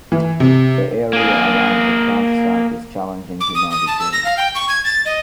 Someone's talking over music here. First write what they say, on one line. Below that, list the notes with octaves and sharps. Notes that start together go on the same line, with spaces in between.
The area around the crash site is challenging to navigate.
E3
C3
A#3 G#4
D6
D#6
D#6
A5
E6
A#6
F5
G5
C#6
G#6
A6
D#5